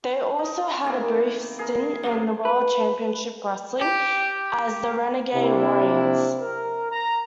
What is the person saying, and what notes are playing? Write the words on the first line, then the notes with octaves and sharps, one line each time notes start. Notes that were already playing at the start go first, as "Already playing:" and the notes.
They also had a brief stint in World Championship Wrestling as "The Renegade Warriors".
D#4
C3 D#3 A#3 E4
G#4 A#4
F#2 C3 F5
B4
G4
C3 A#3 D4 E4
A#4
A#5